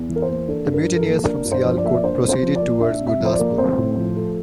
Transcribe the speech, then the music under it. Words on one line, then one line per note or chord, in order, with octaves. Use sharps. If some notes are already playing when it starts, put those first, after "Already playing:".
The mutineers from Sialkot proceeded towards Gurdaspur.
Already playing: E2
E3
A#4
C5
A#3
D4 A4
G2
A#4
F3
A#4
A4
A#3
D4 A#4
G2
C5
F3
D5
A#3 E5
D5
D4 C5
C3
C5
F3
D5
A#3
D4 E5
C3
E5
F3
C5
D5
A#3
C4 C5
A2
F3
A3